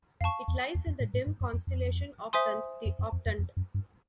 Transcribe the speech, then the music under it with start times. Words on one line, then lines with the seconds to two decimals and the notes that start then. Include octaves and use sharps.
It lies in the dim constellation Octans, the Octant.
0.21 F2 F5
0.24 A5 C#6
0.48 E2
0.75 E2
0.87 F2
1.00 A2
1.14 G#2
1.27 G2
1.41 F#2
1.53 F2
1.67 F2
2.33 C5 E5 G#5 C6 D#6
2.86 F2
2.99 F#2
3.12 F2
3.26 F2
3.39 F2
3.57 F#2
3.74 G2